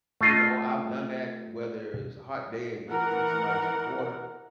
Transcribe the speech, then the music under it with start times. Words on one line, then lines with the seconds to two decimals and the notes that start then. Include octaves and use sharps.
you know, I've done that, whether it's a hot day or just giving somebody some water
0.21 A3 F4 D#5
2.90 E3 A#4 F#5